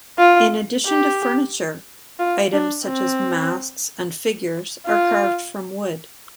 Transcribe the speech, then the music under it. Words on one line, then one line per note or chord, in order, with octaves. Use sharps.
In addition to furniture, items such as masks and figures are carved from wood.
F4
G4
F4
D4
C4
F4